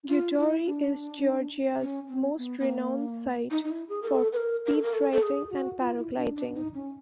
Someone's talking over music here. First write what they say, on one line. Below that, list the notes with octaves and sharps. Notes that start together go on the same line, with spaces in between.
Gudauri is Georgia's most renowned site for speedriding and paragliding.
F4
F4
E4
D4
C#4
C4
B3
B3
A#3
D#4
D#4
E4
G#4
A#4
A4
B4
A#4
A#4
A4
A#4
A4
A4
G#4
F#4
F4
E4
D4
D4
D#4
C#4